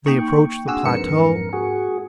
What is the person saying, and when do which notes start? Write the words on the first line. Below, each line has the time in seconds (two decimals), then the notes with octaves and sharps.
They approached the plateau.
0.06 A#3 D#4 G5 C#6
0.68 C4 D4 F#4 G#4 E6
0.85 F2 G#2 A#4 B4 C#7
1.53 F#4 G#4